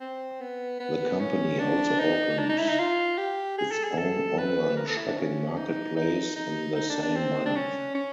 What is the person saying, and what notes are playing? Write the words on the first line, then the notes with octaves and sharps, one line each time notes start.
The company also opened its own online shopping marketplace in the same month.
C4
B3
B3
C#4
D4
D#4
D4
D#4
E4
D#4
F4
G4
G#4
A4
G#4
A4
B4
A#4
A4
E4
D4
C#4
D#4
D#4
D#4
D#4
D4
D4
C4
D4
C#4
C#4